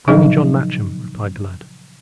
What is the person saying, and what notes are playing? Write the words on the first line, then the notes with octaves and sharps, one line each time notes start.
"Call me John Matcham," replied the lad.
A#2 C#3 F3 F#3 D#4